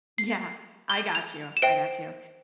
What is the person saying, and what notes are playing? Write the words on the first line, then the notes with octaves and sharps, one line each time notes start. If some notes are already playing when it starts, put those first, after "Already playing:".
Yeah. I got you. I got you.
C7
G7
F7
E7
C5 E5 G5 D7